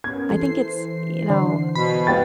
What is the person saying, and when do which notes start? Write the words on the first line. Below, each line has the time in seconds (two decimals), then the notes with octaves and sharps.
I think it's you know uh
0.04 B3 C#4 A#4 G#6
0.30 E3 A4 C5 C7
1.30 D3
1.75 B2 B5
2.07 B3 F5 G5 A6